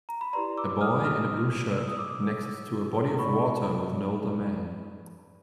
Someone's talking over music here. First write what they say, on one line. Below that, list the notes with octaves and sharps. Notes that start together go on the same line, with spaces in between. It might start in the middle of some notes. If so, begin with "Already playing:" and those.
A boy in a blue shirt next to a body of water with an older man.
A#5
B5
E4 G4 B4 D5 A#5 C6
D6 E6
D#6 F6
D#6 F6
E6
D#6
D6 E6
G4 B4 D5 B5 C#6